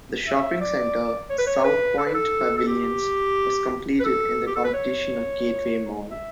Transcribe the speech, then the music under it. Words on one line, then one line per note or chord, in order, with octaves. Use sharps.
The shopping center Southpointe Pavilions was completed in competition of Gateway Mall.
E5
D5
C#5
B4
C#5
B4
A4
B4
A4
A4
G4
B4
A4
G4
A4
B4
C#5
E5